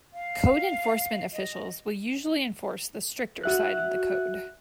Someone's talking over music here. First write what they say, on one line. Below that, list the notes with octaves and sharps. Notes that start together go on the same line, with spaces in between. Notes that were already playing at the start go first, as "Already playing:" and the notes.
Code enforcement officials will usually enforce the stricter side of the code.
F5
D#5
F#4 E5 F#6